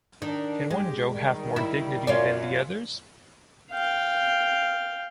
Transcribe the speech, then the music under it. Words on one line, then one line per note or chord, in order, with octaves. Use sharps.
Can one joke have more dignity than the others?
D#3 D4
G#3 G4
D#3 G3
E4
F#2 F4 C#5 D5
F5 G5